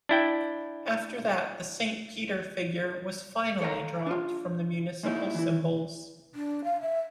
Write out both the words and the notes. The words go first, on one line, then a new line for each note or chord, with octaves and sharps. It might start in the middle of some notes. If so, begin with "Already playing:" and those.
After that the Saint Peter figure was finally dropped from the municipal symbols.
D4 E4 G5
A4 C#5 F5 G5 A#5
D4 F4
G#3 A#3 D#4 E4
E3 E4
D4
F5
E5